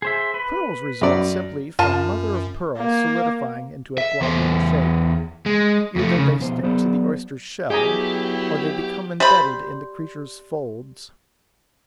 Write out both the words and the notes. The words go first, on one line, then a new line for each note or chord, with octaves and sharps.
Pearls result simply from mother-of-pearl solidifying into a globular shape. Either they stick to the oyster's shell, or they become embedded in the creature's folds.
G#4 C5 E5
B4
F#2 D5
F#2 F4 A5
A#3
E5
E2 C5
G#3
F2 A3
C#3
C2 F2 B2 C5
F#3 B3 G#4 C5 D5
F#3 B3 E4 G4 G#4 G#5 A#5
G3 C5 B5